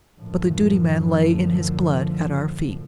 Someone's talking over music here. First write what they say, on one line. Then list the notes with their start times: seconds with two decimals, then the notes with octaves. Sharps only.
But the duty man lay in his blood at our feet.
0.18 F#2 A2 D3 F3